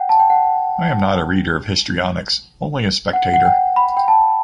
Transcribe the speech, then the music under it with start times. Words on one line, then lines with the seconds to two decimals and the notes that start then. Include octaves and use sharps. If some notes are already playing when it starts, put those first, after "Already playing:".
I am not a reader of histrionics, only a spectator.
Already playing: F#5 G5
0.09 A5
0.19 G5
0.30 F#5
3.13 F#5
3.34 F#5
3.45 G5
3.76 B5
3.97 G5
4.08 A5